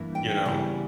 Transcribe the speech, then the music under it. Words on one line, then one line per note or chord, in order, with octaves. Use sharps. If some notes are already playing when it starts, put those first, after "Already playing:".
you know,
Already playing: G2 E3 A#3 E4
G5
C#3 E3 G3 B3 E4